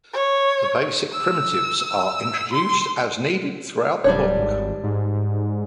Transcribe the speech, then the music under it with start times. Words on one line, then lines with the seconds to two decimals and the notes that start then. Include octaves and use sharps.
The basic primitives are introduced as needed throughout the book.
0.13 C#5
1.12 E6
2.53 C6
4.04 D1 G3 D4 C#5
4.37 G#1
4.83 G#2